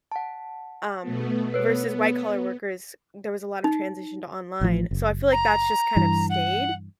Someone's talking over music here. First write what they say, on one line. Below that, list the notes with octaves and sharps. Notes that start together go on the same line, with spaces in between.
Um, versus white collar workers, there was a lot of transition to online. So, I feel like that's just kind of stayed.
F#5 A5
B2 A3 B3
B3 A4 B4 C#5
D#4
A1 F3
F#1
A#5
G2 E3
F#5